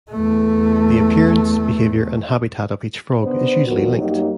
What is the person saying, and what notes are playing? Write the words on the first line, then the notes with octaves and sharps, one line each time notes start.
The appearance, behaviour, and habitat of each frog is usually linked.
E2 A3
C#3 B3 D4 C5
D#2 F3 G3 B3 F#4 A#4
F#2 F#3 G3 A#3 D#4 G4